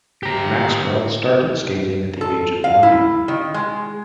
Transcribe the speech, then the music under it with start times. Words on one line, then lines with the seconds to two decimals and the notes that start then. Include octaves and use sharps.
Maxwell started skating at the age of nine.
0.23 G4 A#5
2.21 A4
2.64 F5
2.83 E4
3.28 D#3
3.54 G#3